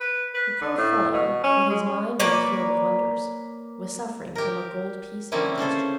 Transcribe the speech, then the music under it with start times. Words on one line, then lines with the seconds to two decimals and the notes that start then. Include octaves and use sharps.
The poor fellow, with his mind on the Field of Wonders, was suffering from a gold-piece indigestion.
0.01 B4
0.35 B4
0.61 D3
0.78 A2
1.13 B2
1.44 C#4
1.69 G#3
1.86 C#4
2.19 A#3 B4 C#5 D5
4.35 G4 A#4
5.32 D3 G3 A#3 C4 C#4 E4
5.58 C#3 C#4 A4 C5